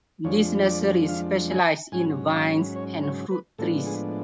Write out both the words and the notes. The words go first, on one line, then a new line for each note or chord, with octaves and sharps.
This nursery specialised in vines and fruit trees.
F2 F3 G#3 D4 C#5
D5
F5
G#5
G#2 F#3 C#4 G#5
F5
C#5
C#5
B4
A2 F3 G#3 B3 D4 A4
G#4